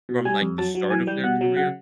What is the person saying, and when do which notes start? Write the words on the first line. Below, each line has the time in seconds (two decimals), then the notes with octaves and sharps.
from, like, the start of their career
0.09 B2
0.25 G3 G#5
0.42 F2
0.58 F#3 A5
0.75 F#3
0.91 E3 G#5
1.07 G3 G5
1.24 B2 F#5
1.41 F#3
1.57 C#3 F#5